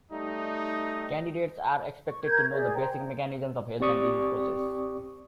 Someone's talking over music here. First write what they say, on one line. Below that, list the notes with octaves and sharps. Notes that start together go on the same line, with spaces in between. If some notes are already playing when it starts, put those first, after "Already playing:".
Candidates are expected to know the basic mechanisms of health and disease process.
G3 A3 D#4
C#6
A#4 B4 G6 G#6
G#4 A#4 D5 E5
C5 G5 A#5
A1 C4 G4 D5 C#6 D#6